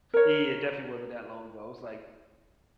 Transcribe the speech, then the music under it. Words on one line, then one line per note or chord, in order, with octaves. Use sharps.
Yeah, it definitely wasn't that long ago, it was like
A#4 C#5